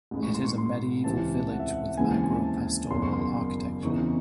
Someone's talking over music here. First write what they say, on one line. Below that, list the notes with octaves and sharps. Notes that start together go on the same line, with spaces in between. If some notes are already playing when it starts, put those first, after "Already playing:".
It is a medieval village with agro-pastoral architecture.
A1 A2 G#3 D#4
C#6
C6
C#6
C6
C#2 C3 E3 C4 A5
F#5
E5
F#5
D#2 C#3 E3 G#3 C4 G#5
A5
G#5
A5
F#1 E2 D#3 C6
C#6
C6
C6
E2 C#3 E3 C4 D#4 C#6